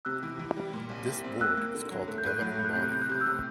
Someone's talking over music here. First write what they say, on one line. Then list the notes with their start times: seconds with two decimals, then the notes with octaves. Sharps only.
This Board is called the Governing Body.
0.05 C3 E6 F#6
0.23 E3
0.39 E3
0.57 G3
0.73 A#2
0.90 C2
1.06 G3
1.24 C4
1.40 A#3 E6 F#6
1.57 A#3
1.75 D3
1.91 F#3
2.08 A3 F#6
2.18 G6
2.25 A2 F#6
2.36 G6
2.42 F#3 F#6
2.56 A2 G6
2.65 F#6
2.73 C3 G6
2.83 F#6
2.92 C3 G6
3.02 F#6
3.09 C3 G6
3.20 E6 F#6
3.26 C3